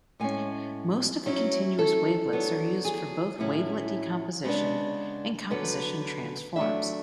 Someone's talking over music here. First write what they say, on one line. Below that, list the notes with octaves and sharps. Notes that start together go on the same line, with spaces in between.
Most of the continuous wavelets are used for both wavelet decomposition and composition transforms.
A2 G#3 C#4 G#5
F#3 C#4 E4
A4
F#3 B3 D4
G#4
A2 F#3 C#4 E4
C#3 G#3 B3 D4
D3 F#3 B3 B4
F#3 A3 D4 E5